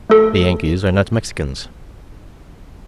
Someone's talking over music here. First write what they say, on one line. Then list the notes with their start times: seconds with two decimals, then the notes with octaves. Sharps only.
The Yankees are not Mexicans.
0.10 A3 A4